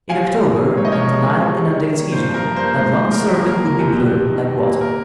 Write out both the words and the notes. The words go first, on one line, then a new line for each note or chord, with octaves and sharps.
In October, when the Nile inundates Egypt, that long serpent would be blue, like water.
C3 F5 G#5
G3
C3
A#3
G#2 C#5
D#5
F3 A#4 C#5
G#2
G#3
C3
G3
C3
A#3
G2 C5
F3
A#4
G2
C5
A#3
G#2 C5
F3
G#2 A#4
A#3
A#3 A#4
C3
F2
G3
C3
D#3
C3
A#3
A#4